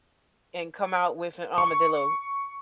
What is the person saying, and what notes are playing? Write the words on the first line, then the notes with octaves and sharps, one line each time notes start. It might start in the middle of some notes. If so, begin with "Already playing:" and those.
and come out with an armadillo
C#6